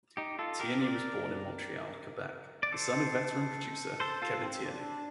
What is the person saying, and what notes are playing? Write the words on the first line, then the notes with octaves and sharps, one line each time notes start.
Tierney was born in Montreal, Quebec, the son of veteran producer Kevin Tierney.
D#4 G4
F4 A4
G4 A#4
A#4 D5
D5
A4 C5
A4 C5
F4 A4
C4
D4